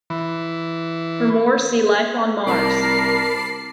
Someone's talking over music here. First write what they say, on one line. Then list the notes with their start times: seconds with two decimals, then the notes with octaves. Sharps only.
For more, see Life on Mars.
0.10 E3
2.47 C2 A#4 A5 B5 D6 C7